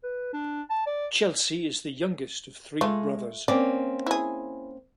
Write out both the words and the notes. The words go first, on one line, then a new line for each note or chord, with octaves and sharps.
Chelsea is the youngest of three brothers.
B4
D4
A5
D5
G#3 A3 F4
A#3 C4 C#4 D5
E4 G#4